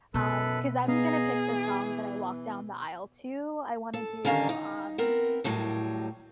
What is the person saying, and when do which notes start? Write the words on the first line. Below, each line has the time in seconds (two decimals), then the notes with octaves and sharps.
Um, 'cause I'm gonna pick the song that I walk down the aisle to. I wanna do, um
0.14 F#2 B2 A4 B4
0.88 B3 G#4 D#5 F5 A#5
1.45 E3
3.94 A4
4.25 D3 D#3 C#4 F5 A5 A#5
4.49 D#4
4.98 B3 C4 A#4
5.44 D#2 A2 F#3 G3